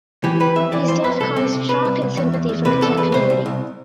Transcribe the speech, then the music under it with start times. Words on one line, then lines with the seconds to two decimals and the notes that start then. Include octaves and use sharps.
His death caused shock and sympathy from the tech community.
0.24 E3 G4
0.40 E3 B4
0.56 F2 E5
0.72 E3 D5
0.88 F2 C5
1.04 F2 B4
1.20 C2 A4
1.36 C3
1.53 C3
1.69 C3 B4
1.85 C2
2.02 C2
2.17 E2
2.33 E2
2.49 E2
2.65 C3 B4
2.81 E2 A4
2.97 E2 B4
3.14 C3 C5
3.30 C2
3.46 C2